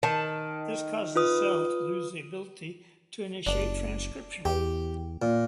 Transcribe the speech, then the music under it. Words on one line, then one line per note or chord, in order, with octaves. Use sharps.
This causes the cell to lose the ability to initiate transcription.
D#3 A5
F4 B4 D#6
F#1 D4
E2 G4
A#2